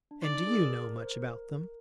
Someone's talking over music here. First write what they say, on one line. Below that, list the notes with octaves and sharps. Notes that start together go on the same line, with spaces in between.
"And do you know much about them?"
D4
D#4 D5
G#4
A#4
A#4
C5
A#4